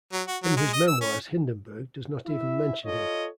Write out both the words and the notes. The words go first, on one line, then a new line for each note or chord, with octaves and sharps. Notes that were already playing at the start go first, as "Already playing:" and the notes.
In his memoirs Hindenburg does not even mention him.
F#3
F#4
F#3
G#3
D#5
E6
C#4
E4 E5
F4 A4 C#5 D#5